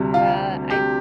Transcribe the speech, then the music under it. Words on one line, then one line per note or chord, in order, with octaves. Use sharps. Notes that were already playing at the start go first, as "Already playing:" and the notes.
Well, I
Already playing: D2 C3 G3
F4
G4